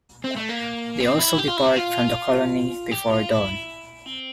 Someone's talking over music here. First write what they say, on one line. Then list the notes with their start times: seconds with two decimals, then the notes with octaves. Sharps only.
They also depart from the colony before dawn.
0.24 C4
0.36 A3
0.49 A#3
1.00 C4
1.19 E4
1.39 G4
1.48 F4
1.57 E4
1.67 C4
1.77 F4
2.91 G4
3.10 F4
3.29 E4
4.06 C4